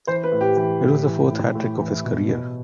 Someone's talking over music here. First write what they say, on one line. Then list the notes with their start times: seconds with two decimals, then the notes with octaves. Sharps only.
It was the fourth hat-trick of his career.
0.07 E3 C5
0.24 B4
0.32 A2
0.41 G4
0.56 E3 G4
0.81 A2
1.06 E3
1.31 A2
1.55 A2
1.80 E3
2.05 B2
2.29 B2